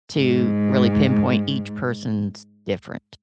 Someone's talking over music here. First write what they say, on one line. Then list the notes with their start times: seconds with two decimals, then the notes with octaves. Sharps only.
to really pinpoint, each person's different.
0.17 G#2